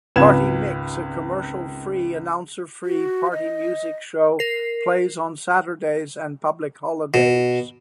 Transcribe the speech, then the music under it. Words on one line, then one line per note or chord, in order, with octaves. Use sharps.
Party Mix, a commercial-free, announcer-free party music show, plays on Saturdays and public holidays.
G#1 C#2 F4 B4 G#6 E7
F#4
D#5
A#4 C7
B2